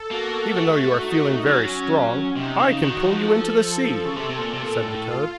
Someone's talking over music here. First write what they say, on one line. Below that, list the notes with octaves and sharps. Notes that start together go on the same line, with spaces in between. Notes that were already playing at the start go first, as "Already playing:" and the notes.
"Even though you are feeling very strong I can pull you into the sea," said the toad.
Already playing: A4
A#3 F#4
A3
D#4
F#3 C#4
C3 D#4
C#3
D#3 F#4
F3
A4
A4
C#3
C3
C3
A#2
C3
A#2
A2
F4